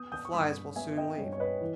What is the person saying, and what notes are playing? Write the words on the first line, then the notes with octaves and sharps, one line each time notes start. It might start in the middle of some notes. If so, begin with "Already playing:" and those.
The flies will soon leave.
Already playing: B3 D#6 G6
D#6 G6
C#6
G2 B5 D#6
B3 E5 G#5
D#5 G5
G2 C#5
C#5
B4 D#5
E3